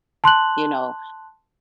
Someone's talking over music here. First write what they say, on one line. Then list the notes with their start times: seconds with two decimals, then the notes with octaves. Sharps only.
You know,
0.24 A5 C6 F#6 F#7